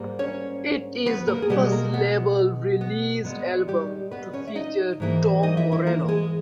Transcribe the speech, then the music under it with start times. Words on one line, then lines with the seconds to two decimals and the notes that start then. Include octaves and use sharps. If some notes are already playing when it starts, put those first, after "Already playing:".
It is the first label-released album to feature Tom Morello.
Already playing: G#2 G3 A#3
0.19 C#4 C#5
1.06 B3 B4
1.28 A#3 A#4
1.42 G#4
1.50 B2 G3 G#3 G4
1.72 A#3 A#4
1.94 B3
2.81 B3
3.24 A#2 G#3 B3
3.68 G3 G4
4.12 B3 B4
4.33 C#4 C#5
4.47 E5
4.55 D#4 D#5
5.00 G#2 E3 A#3
5.43 D#4 D#5
5.57 E4 E5
5.72 E4 E5
5.87 A#3 A#4
6.08 G#3 G#4